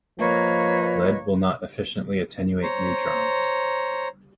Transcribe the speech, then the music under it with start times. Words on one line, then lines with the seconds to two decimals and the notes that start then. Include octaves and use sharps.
Lead will not efficiently attenuate neutrons.
0.19 F3 A#3 A#4 B4 C#5 D#5
2.63 C5 C#5 A#5